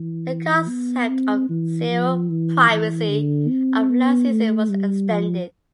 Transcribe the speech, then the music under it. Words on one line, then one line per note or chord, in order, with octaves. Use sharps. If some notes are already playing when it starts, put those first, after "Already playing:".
The concept of "Zero privacy" of last season was extended.
Already playing: E3
B3
C4
E3
F3
E3
E3
D3
C4
B3
A3
G3
F3